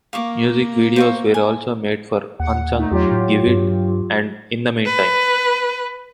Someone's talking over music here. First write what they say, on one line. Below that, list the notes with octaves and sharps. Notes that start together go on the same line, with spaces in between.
Music videos were also made for "Unsung", "Give It" and "In the Meantime".
A#3 F5 C#6 D6
C5 F5 C#6
G#5
D#2 F#5
A3 D#4
E2 F#3 F4 G4
A2
G2
B4